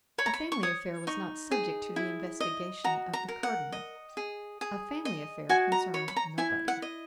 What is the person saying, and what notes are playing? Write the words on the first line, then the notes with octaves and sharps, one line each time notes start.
A family affair was not subject to the investigation of the cardinal; a family affair concerned nobody.
C#5 B5
A#5
B5
C#6
C#5 D#6
D#4 C#6
G#4
E4
D#5
F#4 A#5
A#5
A#4
F#5
D#5
G#4
G#4
D#5
F#4 G#5
A#5
C#5 B5
B5
A#5
E4 G#5
F#5
D#5